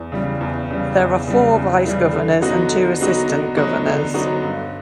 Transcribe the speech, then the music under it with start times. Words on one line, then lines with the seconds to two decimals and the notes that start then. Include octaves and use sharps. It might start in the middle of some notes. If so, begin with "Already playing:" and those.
There are four vice governors and two assistant governors.
Already playing: E2
0.12 C#3 E3 G3
0.41 E2
0.70 C#3 E3 G3
0.99 E2
1.27 C#3 E3 G3
1.56 E2
1.85 C#3 E3 G3
2.13 D3
2.42 F#3 B3 D#4 F#4
2.71 D3
3.00 F#3 B3 D#4 F#4
3.29 D3
3.57 F#3 B3 D#4 F#4
3.86 D3
4.14 F#3 B3 D#4 F#4
4.43 G2